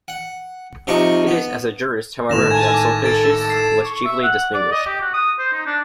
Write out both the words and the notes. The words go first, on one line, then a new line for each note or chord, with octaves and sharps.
It is as a jurist, however, that Sulpicius was chiefly distinguished.
F#5
C3 F3 D#4 C#6
B3
G#1 A2 A#6 E7 F7
G#5 A5 G#6
D6
A4 A6 D7
C7 E7
C#6
E5
F#5
D5
D#5
G4
F#4
D#6
C5
D#4
D4